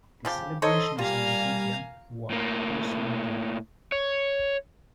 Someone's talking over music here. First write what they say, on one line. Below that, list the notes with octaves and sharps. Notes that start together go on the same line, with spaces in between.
The celebrations on the podium were also muted.
C#3 F3 G4
D#4 A4 C5 C#5 D#5 C6
G3 A#3 F4 F5 G#5 A#5
A2 A#3
C#5